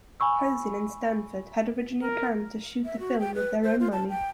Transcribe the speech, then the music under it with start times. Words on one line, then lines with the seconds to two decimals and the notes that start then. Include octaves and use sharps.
Posin and Stanford had originally planned to shoot the film with their own money.
0.20 G#5 B5 C#6 E6
2.03 A#4
2.85 E5
2.99 F#4
3.20 G5
3.35 B4
3.63 C5
3.80 F4
3.92 A5
4.09 G5